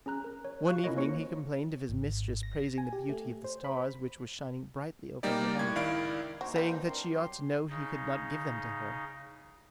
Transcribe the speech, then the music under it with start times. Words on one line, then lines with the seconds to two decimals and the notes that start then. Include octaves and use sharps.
One evening he complained of his mistress praising the beauty of the stars which were shining brightly over her head, saying that she ought to know he could not give them to her.
0.06 C#4 G#4 A#5 F#6
0.24 A#4
0.45 C#5
0.67 F#4 F5 C#6 F#6
0.84 C#4 E4 F4 A#4 C#5 D#5
0.97 A#3 C5 C#5 C#6 C#7
1.89 G#1
2.43 A#6
2.78 G#5
2.93 G4
3.09 A3
3.44 C5
3.64 B5
5.23 G3 A#3 D#4 G4 D5
5.59 A2 G#6
5.75 C#2 D#3 E4 D5 F5 D7
6.41 A#3 D#4 F#4 C5
6.56 E3 G3
6.86 C4 D4 A#4 C6
7.09 F#3 G4
7.70 C#3 D#4